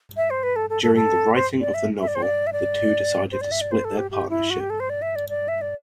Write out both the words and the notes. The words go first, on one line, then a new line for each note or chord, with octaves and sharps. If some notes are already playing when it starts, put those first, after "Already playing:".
During the writing of the novel, the two decided to split their partnership.
E5
C5
B4
A4
A4
A4
A4
C5
D5
E5
E5
D5
C5
D5
E5
D5
C5
D5
E5
D5
C5
A4
G4
G4
E4
F#4
G4
A4
C5
D5
E5
D5
D5
E5
D5